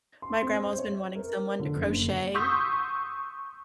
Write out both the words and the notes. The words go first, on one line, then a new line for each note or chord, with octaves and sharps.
My grandma's been wanting someone to crochet,
C6
C4
C5
C#5
A#4
D3
F#1
C6 C#6 D#6 E6 G6 B6